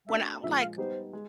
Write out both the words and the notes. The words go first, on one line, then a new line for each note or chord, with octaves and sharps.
when I'm like,
A3 D4 F#4 E5
A#2 F3 G#3 E5
F5
G3 B3 D#4 G4 B4 C5
G#3